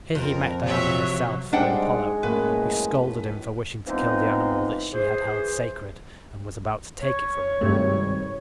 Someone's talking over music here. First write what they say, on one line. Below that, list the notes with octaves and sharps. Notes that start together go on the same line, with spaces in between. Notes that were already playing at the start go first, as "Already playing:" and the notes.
Here he met Diana herself with Apollo, who scolded him for wishing to kill the animal that she had held sacred, and was about to take it from him.
F2 A#4
C3 F3 F#3 C#5 E5
G3 G#3 C4 D4 D#4 F#5 G5
F#2 A2 A#3 B4
E3 F3 G#3 B3 C4 D#4
E3 G#4 C5
C#5
G#1 G2 C3 G3 A3